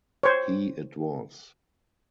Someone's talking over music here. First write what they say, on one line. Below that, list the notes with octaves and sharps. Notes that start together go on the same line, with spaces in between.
He it was.
C5 C#5